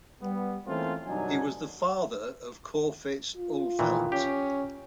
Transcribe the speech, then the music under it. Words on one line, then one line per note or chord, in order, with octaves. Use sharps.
He was the father of Corfitz Ulfeldt.
G3 B3
E3 A3 A#3 C4 C#4 F4
C2 G2 F#3 D4 D#4 G#5
F4
A#2 D#3 E3
C#4 G4